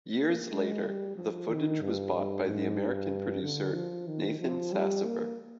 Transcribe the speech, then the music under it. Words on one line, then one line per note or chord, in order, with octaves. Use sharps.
Years later, the footage was bought by the American producer Nathan Sassover.
A#3
G#3
G3
F3
D#3
G2
G2
G#2
G2
D3
F3
D#3
F3
G3
A#3